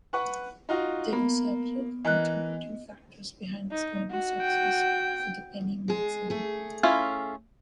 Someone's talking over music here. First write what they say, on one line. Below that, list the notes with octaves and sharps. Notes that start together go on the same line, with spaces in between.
There were several contributing factors behind this early success for "The Penny Magazine".
B4 F#5 C#6
D#4 F4 F#4
A#3 B3
E3 A#4 D#5 F#6
D#4
F#4
G5
G#3 G#4
A3 G#4
C#4 E4 F4